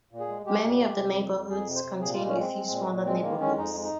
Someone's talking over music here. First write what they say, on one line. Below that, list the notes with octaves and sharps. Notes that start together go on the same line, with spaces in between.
Many of the neighborhoods contain a few smaller neighborhoods.
A#2
G#4
G#3
G#3 G4
A#2
G#3
C3
F2
F2
F2 G#4
C3
C5
C3
A#2 G#4
F4
G#3
C#4
G#3 C4
G#3
A#2
A#2
G#3 C4
D#3 A#3
G#3 C#4
F2 D#4
G#3
D#4